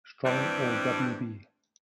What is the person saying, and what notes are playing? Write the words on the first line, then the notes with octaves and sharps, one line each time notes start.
Strong or W. B.
G2 E3 G3 C4 D4